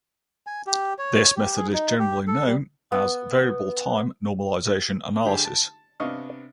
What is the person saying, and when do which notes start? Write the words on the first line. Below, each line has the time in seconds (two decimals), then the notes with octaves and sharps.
This method is generally known as Variable Time Normalization Analysis.
0.47 G#5
0.67 G4
0.99 C#5
1.37 G4
1.57 G#4
1.74 D#4
1.99 G4
2.28 A4
2.46 G3
2.92 B3
5.25 D3 G4 G#4
5.45 A5
6.00 C3 B3 D4 D#5 F5 C#6